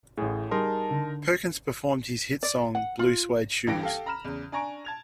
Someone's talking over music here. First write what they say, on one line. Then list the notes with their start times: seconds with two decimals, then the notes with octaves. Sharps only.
Perkins performed his hit song "Blue Suede Shoes".
0.17 A1 A2 G#4
0.51 G3 D#4 G#4 A#4 A5 C6
0.91 D3
2.43 D5
2.75 F#5
2.99 F4
3.67 G1 G2 E3 G4 A#6 D7
3.81 G4 A4 F5
4.06 A#5 B5 F6 E7
4.24 E2 C#3
4.52 D4 G#5 A#5 C#6 D7
4.85 A5 G#6 F7